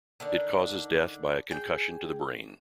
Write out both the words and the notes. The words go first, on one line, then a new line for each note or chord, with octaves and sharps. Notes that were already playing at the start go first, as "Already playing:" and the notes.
It causes death by a concussion to the brain.
D3 D#3 D4
G#4 G5